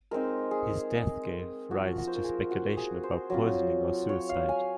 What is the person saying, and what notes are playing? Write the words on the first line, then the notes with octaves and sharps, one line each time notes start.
His death gave rise to speculation about poisoning or suicide.
G#3 C4 D#4 A#4
G#4
F3 A#3 F4 F#4
F#4
C5
A#4
G#4
F#4
G#4
C5
F#3 C4 F4
C#5
F5
G#5